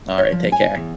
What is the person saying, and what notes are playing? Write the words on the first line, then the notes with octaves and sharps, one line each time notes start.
Alright. Take care.
C#5
F3
G#5
E2